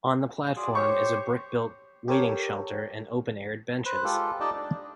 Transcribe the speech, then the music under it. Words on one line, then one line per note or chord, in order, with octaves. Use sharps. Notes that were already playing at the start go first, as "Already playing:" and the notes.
On the platform is a brick built waiting shelter and open aired benches.
F4 F#4 G#4 D5
G4 C5 C#5 C#6
G4 A4 A#4 C#5 G5
B4 C5 F#6
G#3 F4 G4 A4
D#4 G4 D5 D#5 G5 A5
D4